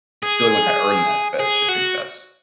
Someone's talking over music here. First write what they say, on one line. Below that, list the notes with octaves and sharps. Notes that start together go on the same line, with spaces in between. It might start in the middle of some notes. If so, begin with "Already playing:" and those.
I feel like I earned that veg. I think that's
G#4
G#4
F#4